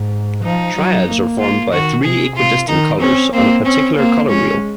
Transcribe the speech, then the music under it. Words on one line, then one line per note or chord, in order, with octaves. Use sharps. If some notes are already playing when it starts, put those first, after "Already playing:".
Triads are formed by three equidistant colors on a particular color wheel.
Already playing: G#2
F3 D#4
F#3
A#3
F4
D#3 F#4
C3 G#4
C3 F4
D#3 D#4
C4 C#4
A#3 C4
C4 C#4
A#3 C4
G#3 C#4